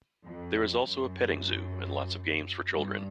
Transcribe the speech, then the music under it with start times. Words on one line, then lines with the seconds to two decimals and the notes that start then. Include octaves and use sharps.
There is also a petting zoo and lots of games for children.
0.24 F2
0.85 F#2
2.73 G2